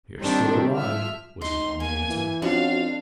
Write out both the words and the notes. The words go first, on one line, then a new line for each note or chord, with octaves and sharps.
"We are still alive," was his only answer.
A2 D#3 G3 C4 D4
G2 F3 E5 F6
D#4 C6
A#3 G#5
E3
F2 F3 C#4 D4 F#4 F5